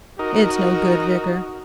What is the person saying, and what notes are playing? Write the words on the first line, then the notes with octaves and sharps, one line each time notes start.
'It's no good, Vicar.
D#4 F#4 A#4